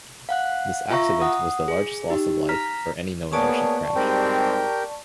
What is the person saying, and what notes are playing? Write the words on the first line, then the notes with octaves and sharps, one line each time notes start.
This accident was the largest loss of life for any known airship crash.
F5 F#5 F#6
F4 E5 F5 A#5 C#6
F#5 D#6
G#4
D#4 G4
A#5 F6 B6
A#3 B3 G#4 C#5 D5 A5 C#6
G#2 G3 C4 G4 A#4 G5